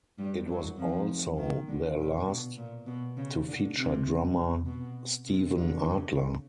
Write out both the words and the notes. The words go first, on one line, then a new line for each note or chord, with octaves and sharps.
It was also their last to feature drummer Steven Adler.
G2 G3
F#2 F#3
F2 F3
D#3
D3
A#2
B2
A#2
B2
C#3
D3
C3
B2
C3
D3
C#3